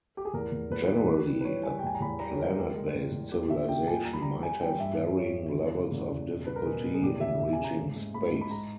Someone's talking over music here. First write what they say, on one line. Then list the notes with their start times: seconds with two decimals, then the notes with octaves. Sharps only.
Generally, a planet-based civilization might have varying levels of difficulty in reaching space.
0.17 G4
0.25 G#4
0.34 E2 A#4
0.52 E2
0.71 E2 B4
0.90 D#3
1.08 E3
1.27 G3
1.41 B4
1.45 E3 C#5
1.63 G3 G#5
1.79 G5
1.83 E2 G#5
1.94 A#5
2.01 E2 B5
2.19 G3 A#5
2.33 C#5
2.39 G3 A#4
2.44 B4
2.56 G#3 A#4
2.75 G#3
2.94 E2
3.12 E2
3.31 A#2 G4
3.50 A#2 E5
3.68 A#2 G5
3.87 A#2 G#5
4.05 G3 A#5
4.13 B5
4.22 G3 A#5
4.42 G3 G#5
4.61 G3 G5
4.79 G2 E5
4.98 G2
5.17 G3 C#5
5.35 G2
5.54 E3
5.73 C#3
5.92 E2
6.09 C#3
6.29 B2
6.47 G3 B4
6.56 A#4
6.65 B2 G#4
6.84 B2
6.94 G#4
7.02 E2 G4
7.21 E2 E5
7.40 E2 E5
7.53 G#5
7.59 C#3
7.64 A#5
7.77 G#2
7.95 G#2
8.14 G#2 B5
8.32 G#2
8.41 B5
8.51 G#3 A#5